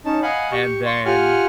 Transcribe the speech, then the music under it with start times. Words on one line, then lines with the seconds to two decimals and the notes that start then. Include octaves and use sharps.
and then
0.05 C#4 D#4 A5
0.22 D#5 F5 F#5 G#5 B5
0.52 G4 C#6
0.85 C6 C#6
1.05 F4 G4 F#5 G#5 F6